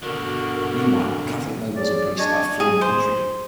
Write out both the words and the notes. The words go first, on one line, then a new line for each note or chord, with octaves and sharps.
Meanwhile, Catholic nobles and priests started fleeing the country.
B2 D3 F#4 A#4
C#4 G#4 D5
D4 D#5 G#5 C#6
G#4
C5